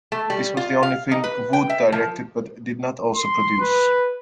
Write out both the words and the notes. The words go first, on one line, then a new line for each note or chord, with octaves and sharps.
This was the only film Wood directed but did not also produce.
A3
G3
F4
F5
D#4
B4
G5
E5
F3
C6
B4